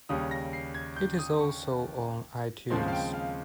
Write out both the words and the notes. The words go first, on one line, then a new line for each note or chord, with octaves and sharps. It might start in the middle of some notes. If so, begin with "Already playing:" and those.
It is also on iTunes.
D#2 C#3 G3 C#4 D#6
A#6
C7
G#6
G6
D#6
C#6
D#2 C#3 F3 G#3 C4 C6
F5
G5
F5